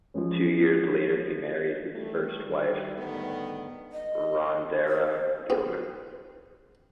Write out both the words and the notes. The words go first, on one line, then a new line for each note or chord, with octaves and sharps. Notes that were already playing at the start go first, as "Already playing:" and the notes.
Two years later he married his first wife, Rhandera Gilman.
F3 F#3 G#3 C#4
E3 G3 A3
D#3 G3
G#2 D3 D#3 G3 A3 B3
D#5
C5
B3 C4